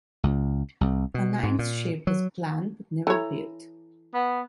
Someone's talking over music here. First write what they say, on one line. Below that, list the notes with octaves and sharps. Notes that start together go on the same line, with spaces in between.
A ninth ship was planned but never built.
C#2
C2
B2
G#2
A#2
F#3
E3 A4 C#5 A#5
B3